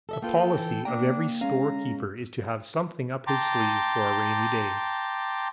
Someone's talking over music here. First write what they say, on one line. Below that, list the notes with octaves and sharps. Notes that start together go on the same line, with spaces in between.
The policy of every storekeeper is to have something up his sleeve for a rainy day.
A4 D#5 E5
A#3 F4 A4 B4 G5
E3
A#3 D4 G5 A#5
G#3 C#4 F5 A#5
G5 A5 A#5 C6 D6